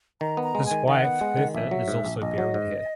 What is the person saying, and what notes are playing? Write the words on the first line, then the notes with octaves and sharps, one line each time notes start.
His wife Hertha is also buried here.
D#3 A#5
B3
A#5
G#3
G#5
D#3
D#3 F#5
B3
G#3
D#3
A#1 E5
F#3
G#2
A#1
A#1 D#5
F#3
G#2